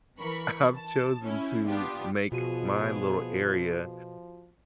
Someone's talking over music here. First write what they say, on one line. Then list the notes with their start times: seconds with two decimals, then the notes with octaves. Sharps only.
I've chosen to make my little area
0.18 E3 A#4 B5 C#6
0.74 A5
1.23 C#4 E4
1.66 B3 D4 F4 G4
2.32 B2 F3 B3 F4 F#4 G#4 D#7